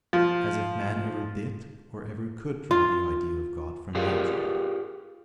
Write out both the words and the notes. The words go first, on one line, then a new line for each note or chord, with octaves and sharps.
As if man ever did or ever could draw the idea of God from nature!
F3
F4
F4 G4 G#4 A#4 D5 F5